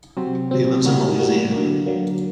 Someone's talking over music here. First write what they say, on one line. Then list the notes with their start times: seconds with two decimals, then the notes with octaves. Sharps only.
He lives in Louisiana.
0.17 C3 F#3 C4
0.51 C3 F#3 C4
0.84 A2 G3 A#3 F#4
1.19 A2 G3 A#3 F#4
1.52 D3 F#3 A#3
1.86 D3 F#3 A#3